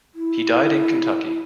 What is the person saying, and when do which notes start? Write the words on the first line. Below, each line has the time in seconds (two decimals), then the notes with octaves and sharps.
He died in Kentucky.
0.15 E4